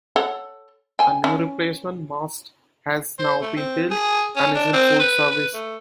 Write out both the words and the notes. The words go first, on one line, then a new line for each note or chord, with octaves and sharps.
A new replacement mast has now been built and is in full service.
A4 C#5 F#5
G5 G#5
C#4
C5
A3
C4
G#4
C#4
D4
C4
B4
B4
A3